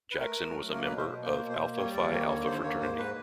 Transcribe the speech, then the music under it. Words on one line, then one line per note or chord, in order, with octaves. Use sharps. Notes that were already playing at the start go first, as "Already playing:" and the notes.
Jackson was a member of Alpha Phi Alpha fraternity.
B4
A3 A#4
A3
F#3
A#3 A#4
B2 B4
C5
B2
A#3 C5
B2
C5
A#3
G3 C#5
D#2 D5
A#3 C#5
D3 C#5
D#2 C5
A#3 C#5
G#2 C5
G#2 B4